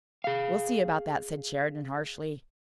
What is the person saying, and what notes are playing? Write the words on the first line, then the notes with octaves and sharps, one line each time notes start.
"We'll see about that!" said Sheridan, harshly.
G#4 F5